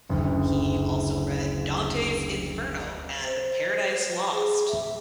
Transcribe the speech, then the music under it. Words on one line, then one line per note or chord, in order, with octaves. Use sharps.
He also read Dante's "Inferno" and "Paradise Lost".
F#1 D2
C5
G#4
E5